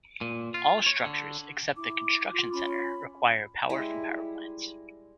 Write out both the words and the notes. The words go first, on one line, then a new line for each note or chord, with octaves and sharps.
All structures except the Construction Center require power from power plants.
A#2
F4
C#5
D3
E4 D6
F4
C#4 B5
G3 G#3 E4